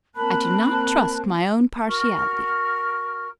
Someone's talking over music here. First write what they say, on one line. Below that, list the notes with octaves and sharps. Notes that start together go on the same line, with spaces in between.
I do not trust my own partiality.
A#3 C4 A#4 A5 B5 F#6
F#4 A#4 C#6 F6